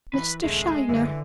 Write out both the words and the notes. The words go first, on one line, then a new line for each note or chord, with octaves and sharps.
"Mr. Shiner."
D#3 E3 B4
A#1 D#2 C#3 G#3 A3
F#2 D3 E3